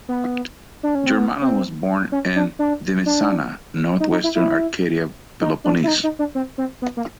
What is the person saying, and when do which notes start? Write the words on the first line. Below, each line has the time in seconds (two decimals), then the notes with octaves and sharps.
Germanos was born in Dimitsana, northwestern Arcadia, Peloponnese.
0.09 B3
0.83 D4
0.95 C#4
1.06 C4
1.18 B3
1.42 C4
2.12 C#4
2.36 D4
2.59 D4
3.06 D4
4.00 D#4
4.11 D#4
4.24 E4
4.35 E4
5.41 D#4
5.64 D4
5.84 E4
5.87 D#4
6.04 D#4
6.19 D4
6.35 C4
6.58 C4
6.82 B3
6.97 A#3